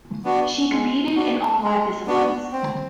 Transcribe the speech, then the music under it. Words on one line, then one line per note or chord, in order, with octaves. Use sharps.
She competed in all five disciplines.
B3 D4 F#4
G#3
B3 D4 F#4
G#3
B3 D4 F#4
C4